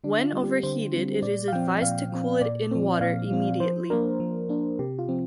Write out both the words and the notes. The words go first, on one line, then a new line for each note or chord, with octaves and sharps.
When over-heated it is advised to cool it in water intermediately.
D3 D4
F4
G3 C4
G4
D3 C5
G3 C4
A#2 D5
F5
F3 C4 G5
A#2 F5
F3 C4
A#2 D5
F3 C4
A#2 F5
F3 C4
F3 C5
A#3 D4 A#4
F3
A#3 D4
C3 G4
F4
F3 C4